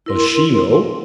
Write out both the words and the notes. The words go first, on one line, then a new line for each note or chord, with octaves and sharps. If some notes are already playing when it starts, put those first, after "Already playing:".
"Does she know?"
E4 A#4 C6